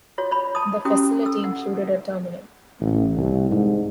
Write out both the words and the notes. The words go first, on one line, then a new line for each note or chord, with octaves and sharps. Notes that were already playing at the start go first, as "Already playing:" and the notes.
The facility included a terminal.
F4 F#4 C#5
C#5 B5
A5 D#6
C#4 E4 F#4 G4 G5 D#6
A4 E6
F#5
A1
C2
G#2